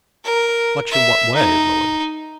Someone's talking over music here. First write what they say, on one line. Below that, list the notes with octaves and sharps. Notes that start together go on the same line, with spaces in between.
"Much in what way, Lily?"
A#4
E5
D#4